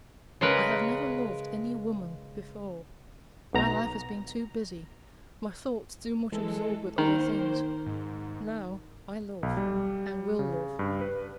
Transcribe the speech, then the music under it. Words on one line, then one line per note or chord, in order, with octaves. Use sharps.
I have never loved any woman before: my life has been too busy, my thoughts too much absorbed with other things. Now I love, and will love.
C#3 G#3 A#4 B4
B1 B2 A#5
E3 G#3 A4
D#3 A#3 C5
G#2
B1
G3
C#3
G2
B4